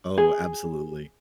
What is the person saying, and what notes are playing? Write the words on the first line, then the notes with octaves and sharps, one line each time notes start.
Oh, absolutely.
G#4